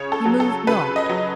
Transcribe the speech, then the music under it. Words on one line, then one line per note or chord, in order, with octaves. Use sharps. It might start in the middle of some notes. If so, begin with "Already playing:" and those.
He moved not.
Already playing: C#3 C#5
A4
F#3
A4
C#3 B4
D#5
F#3